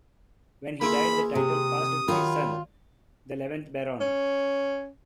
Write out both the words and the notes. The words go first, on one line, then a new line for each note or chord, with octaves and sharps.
When he died the title passed to his son, the eleventh Baron.
A#3 E4 F4 G#4 B5
C3 D#6
D#3 F#3 F4 B5
C#4